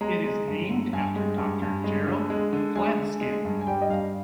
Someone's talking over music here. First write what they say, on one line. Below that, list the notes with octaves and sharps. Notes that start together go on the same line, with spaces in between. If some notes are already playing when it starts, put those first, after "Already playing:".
It is named after Doctor Gerald Klatskin.
G#3 A#5
G#3
G2
D3
G2 G#5
G#3
G2
G2
G#3
D3
G#3
D3
G#3 G#5
D3
G#3
G2
G#5
G3 G5
D#5
G2 F5